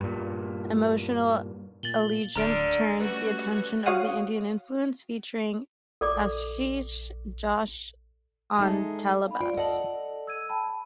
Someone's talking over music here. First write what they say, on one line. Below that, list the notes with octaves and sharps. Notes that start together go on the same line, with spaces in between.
"Emotional Allegiance" turns the attention to the Indian influence featuring Ashish Joshi on Tablas.
G2 A#2
A#2 A6 F#7 G7
D1 D3 A#5 F6 D7
G3 A3 C#4 F#4 B4
F#4 C#5 F5 F#5 D#6
A#1 A4 D5 D6
G#3 D#4 A4 E5
F5 B5
F4 C5 D5 D7
A4 D5 D#5 F#5 A5 F#7
E6 G#6 D#7
G5 A5 B5